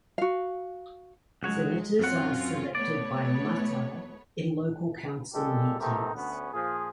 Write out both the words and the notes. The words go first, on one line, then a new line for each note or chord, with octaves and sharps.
Senators are selected by matai in local council meetings.
F#4 F5
C#2 F#3 G#3 F#4 C#5
F#2 C4 C#4 F4 F#5
A3 B3 C#5 D5
A#2 G#3 G4 A4
A3 B3 C4 D#4 G4 A#4
D2 B3 C#4
A#2 F3 G#4